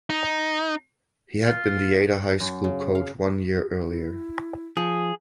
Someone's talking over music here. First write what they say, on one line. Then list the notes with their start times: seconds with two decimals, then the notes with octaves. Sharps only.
He had been the Ada High School coach one year earlier.
0.10 D#4
1.42 F4
2.40 F#2
2.64 C#3
2.95 F5
3.86 E4
4.77 F3 G#4